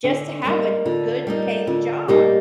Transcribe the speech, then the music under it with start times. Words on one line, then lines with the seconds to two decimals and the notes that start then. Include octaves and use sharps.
just to have a good paying job.
0.04 D3 D4
0.45 G3 A#3 D#4
0.86 D3 F4
1.27 G3 A#3 D#4
1.67 D3 F4
2.08 G3 A#3 D#4 G4